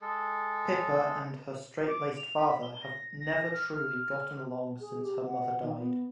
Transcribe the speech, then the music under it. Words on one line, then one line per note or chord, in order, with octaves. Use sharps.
Pippa and her straight-laced father have never truly gotten along since her mother died.
G#3 A4
D6
F7
B5
G7
A#6
A#6
F6
F6
G#4
G4
F#5
D#3
B3